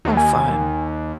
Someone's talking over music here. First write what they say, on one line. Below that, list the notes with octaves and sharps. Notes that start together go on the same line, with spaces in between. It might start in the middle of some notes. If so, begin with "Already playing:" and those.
Oh, fun.
D#2
G#5